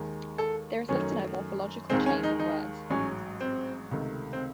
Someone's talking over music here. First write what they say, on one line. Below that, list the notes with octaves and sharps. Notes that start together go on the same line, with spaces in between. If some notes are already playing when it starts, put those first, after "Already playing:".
There is little to no morphological change in words: they tend to be uninflected.
Already playing: D#2 D#3 G#3
A4
F#2 D#3 F#3 A3 C#4
D#2 D#3 G#3 C4
C#4
D#4
D#4
A1 G#2 F#3 C#4
C4
C#2 C3 D#3 A3
C4